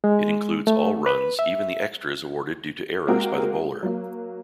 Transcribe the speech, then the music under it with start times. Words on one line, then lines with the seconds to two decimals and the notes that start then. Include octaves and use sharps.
It includes all runs, even the extras awarded due to errors by the bowler.
0.04 G#3
0.67 A3
1.06 B4
1.39 E5
3.07 G#3 A#3 C4 F#4 G4 A#4
3.83 F#3 A#3